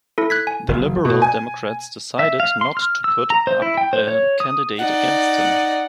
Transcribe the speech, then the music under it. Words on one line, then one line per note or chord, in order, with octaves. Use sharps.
The Liberal Democrats decided not to put up a candidate against him.
E4 A4
F#6 G#6 B6
G#5
F#1
B2
G#5
E5
F5
C6
F6
E6
A#5
C5
E4
G5
C5
C#5
D#6
D#4 D5 F#5